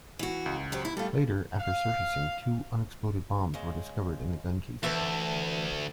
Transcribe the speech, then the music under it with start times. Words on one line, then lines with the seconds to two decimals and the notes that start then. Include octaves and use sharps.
Later, after surfacing, two unexploded bombs were discovered in the gun-casing.
0.19 E3 F#4
0.46 C#2
0.72 F#3 G4 C5
0.85 E4
0.97 G3 A3 F4 A4
1.59 F5
3.54 C#3 G#3
4.83 D2 E3 B4 E5 A5